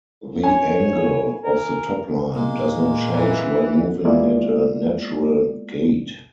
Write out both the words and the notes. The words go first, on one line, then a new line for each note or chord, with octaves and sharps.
The angle of the topline does not change while moving at a natural gait.
C#5 G#5
A#4
A#2 G#3 A#3
E3
G#3 A#3 B3 E4 F4 D5